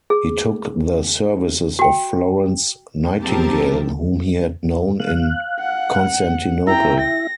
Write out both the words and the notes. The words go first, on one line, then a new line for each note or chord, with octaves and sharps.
He took the services of Florence Nightingale whom he had known in Constantinople.
G#4
F#4 G5
A#1 F3 C4 G4 A#4 A5
F5 F#6
F#5
E4 E5 G5 A#5
A#6